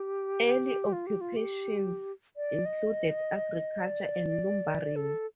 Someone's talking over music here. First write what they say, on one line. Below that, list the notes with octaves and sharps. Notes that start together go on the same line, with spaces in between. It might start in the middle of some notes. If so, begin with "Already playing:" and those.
Early occupations included agriculture and lumbering.
Already playing: G4
F4
G4
F4
G4
D5
D#5
D5
A4